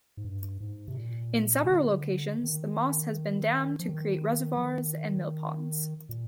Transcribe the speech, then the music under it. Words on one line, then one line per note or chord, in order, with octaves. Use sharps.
In several locations, The Moss has been dammed to create reservoirs and mill ponds.
G#2
G2
G#2
C3
A#2
C3
D3
D#3
F3
D#3
F3
D#3
A#2